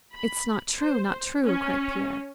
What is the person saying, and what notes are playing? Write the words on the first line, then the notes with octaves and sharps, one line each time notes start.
"It's not true, not true!" cried Pierre.
B5
C5
C#4